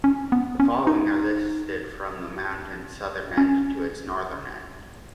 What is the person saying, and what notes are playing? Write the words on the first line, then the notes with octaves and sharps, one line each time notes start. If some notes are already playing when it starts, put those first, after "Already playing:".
The following are listed from the mountain's southern end to its northern end.
C#4
B3
C#4
D#4
C#4